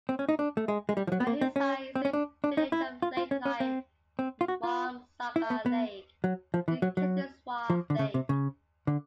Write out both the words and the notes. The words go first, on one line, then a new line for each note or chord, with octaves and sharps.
Mahisa is a village of lake like Marmsagar Lake, Utkantheswar Lake.
C4
C#4
D#4
D4
A3
G#3
G#3
G3
F3
F#3
B3
A#3
C4
C#4
C4
C#4
D4
D4
D#4
E4
F4
F4
C#4
C#4
C4
C4
F4
F#4
F4
E4
B3
B3
F#3
F3
E3
F#3
F#3
F3
D3
C#3
C3
C#3
D3